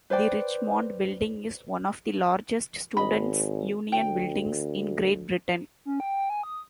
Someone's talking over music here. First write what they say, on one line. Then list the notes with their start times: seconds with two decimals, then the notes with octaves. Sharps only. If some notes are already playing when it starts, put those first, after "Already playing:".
The Richmond Building is one of the largest students' union buildings in Great Britain.
0.10 B4 C5 D5 G5
2.97 G#1 D#5 B5
3.92 D2 G5
5.85 C#4
6.00 G5
6.17 G5
6.30 G#5
6.43 D#6